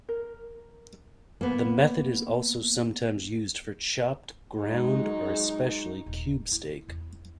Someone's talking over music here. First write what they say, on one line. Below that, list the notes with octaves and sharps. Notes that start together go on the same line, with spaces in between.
The method is also sometimes used for chopped, ground, or especially cube steak.
A#4
A#3 B3
F#3 G#3 D#4
D#1
E4
E2